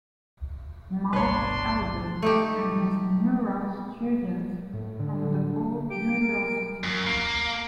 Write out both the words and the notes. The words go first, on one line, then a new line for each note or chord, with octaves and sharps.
Mark Elder and his mural students from DePaul University.
G1 C2 B2 D4 B4 C#5 C6
A3 D#4 G4
A2
D3
G4 D7
A#4
F#2
A#3